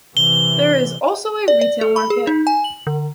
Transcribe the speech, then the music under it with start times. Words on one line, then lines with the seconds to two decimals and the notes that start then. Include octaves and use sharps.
There is also a retail market.
0.17 C3 E3 G7
1.48 D5
1.61 D5
1.81 A4
1.96 B5
2.10 G#4
2.27 D#4
2.47 G#5
2.64 F#7
2.87 D3